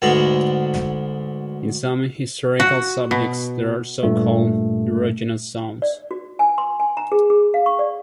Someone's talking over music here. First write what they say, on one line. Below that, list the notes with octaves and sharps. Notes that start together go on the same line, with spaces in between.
In some hysterical subjects there are so-called erogenous zones.
D2 G#2 B3 A#5
F#4
B2
G2 A#2 A3
D5
F#4
G#5
C6
G#5
A#5
G#4
G#4
F5
C#6
D5